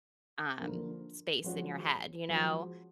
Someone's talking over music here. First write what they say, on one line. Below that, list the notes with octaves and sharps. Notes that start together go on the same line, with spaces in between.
um, space in your head, you know,
D3 F3 A#3
F3 G#3 C#4 F#4
F3 G#3 C#4 F#4